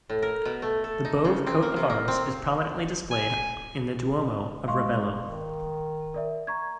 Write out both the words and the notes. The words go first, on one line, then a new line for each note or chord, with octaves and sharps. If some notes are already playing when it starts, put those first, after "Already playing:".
The Bove coat of arms is prominently displayed in the Duomo of Ravello.
A2
A#4
B2
A3
A4
D#4
C#3
C4
A#3
C3
A#3
C4
G#5
G#3 F5 C6 C#6
D#3
A#4 D5 E5
A#5 C#6 G#6